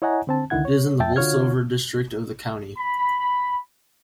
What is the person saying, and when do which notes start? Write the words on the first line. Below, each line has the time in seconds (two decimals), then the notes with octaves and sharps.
It is in the Bolsover district of the county.
0.02 E4 C#5 D#5 F#5 G#5 A#5
0.27 D3 C4 A5
0.50 C#2 D3 D#3 E4 F#5 G#6
0.65 C#5
1.00 F2 E5 G5 A5 A6
1.16 D3 F4 F#4 C#5 F6 G#6
2.77 B5